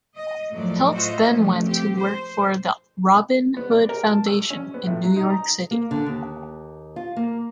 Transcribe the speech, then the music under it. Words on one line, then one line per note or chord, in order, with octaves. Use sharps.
Peltz then went to work for the Robin Hood Foundation in New York City.
D#5
F#2 A2 F3 F#3 D5
A2 F4 F#4 C5 D#5 E5
F3 A3 B3 C#4
C4 G4
C5
B3
D5
A#4
A5
E6
C#4
B3
A2
F#3
D#4
A#5
A#3
D3
D#2
F4
A#3